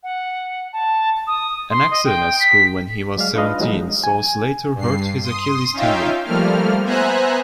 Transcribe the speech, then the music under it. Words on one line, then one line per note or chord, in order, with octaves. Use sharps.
An accident at school when he was seventeen saw Slater hurt his Achilles tendon.
F#5
A5
D#6
C6
D#5
G5
B6
F#3 G#3 D5 F5
D4 F4 B4 D#5 F5
E3 F#3 G#3 D#4
G#5
G2 C7
C6 D#6
C#4 D#4 F4 E5 F5 G5
F3 G3 A3 A#3 F6
B3 C5 E5 G#5 A#5 F#6